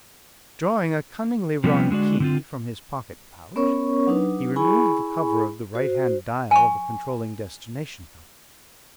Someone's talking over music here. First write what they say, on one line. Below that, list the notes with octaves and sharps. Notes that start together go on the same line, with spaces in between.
Drawing a cunningly wrought key from his pocket-pouch, he removed the cover of the right-hand dial of the controlling destination compass.
C3 F3 G3 B3 C#4 G4
D3 G#3 F#4 D5
D3 C4 F4
B3 C#4 A#4 C#5 C#6
F#3 D4 D#4 B4
E4 G#4 G#5 B5 C#6
F#4 C5
G#5 C#6